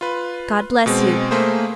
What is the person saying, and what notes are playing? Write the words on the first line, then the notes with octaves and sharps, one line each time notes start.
God bless you.
F4 B4
B2 G#3 C4
A3 A#3 G#4 C5